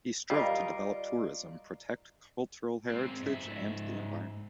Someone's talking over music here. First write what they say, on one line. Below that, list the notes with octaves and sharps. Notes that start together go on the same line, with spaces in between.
He strove to develop tourism, protect cultural heritage and the environment.
G3 F4 A#4 D5 D#5
G#3 C4
G#2 E5